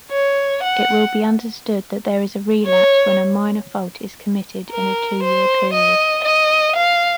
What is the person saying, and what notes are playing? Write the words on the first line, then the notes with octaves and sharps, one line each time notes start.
It will be understood that there is relapse when a minor fault is committed in a two-year period.
C#5
F#5
C#5
A#4
C5
D#5
D#5
F5